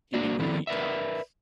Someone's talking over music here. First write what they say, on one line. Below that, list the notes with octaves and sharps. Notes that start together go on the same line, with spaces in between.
Gimme movie times.
A#3 D4 F#4 D5
D#3 F3 C4 E4 A4 D5
A#4 B4 D5 E5